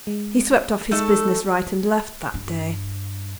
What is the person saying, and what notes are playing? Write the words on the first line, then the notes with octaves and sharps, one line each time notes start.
He swept off his business right and left that day.
G#3
G#3 A3 D#4 A4
G2